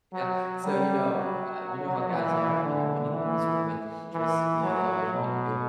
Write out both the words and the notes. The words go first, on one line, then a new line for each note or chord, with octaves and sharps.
yeah. So, you know, uh you know how guys are, you know? Anytime there's a romantic interest, you know, they always want to,
F#3
G3
F#3
E3
D3
E3
E3
F#3
B2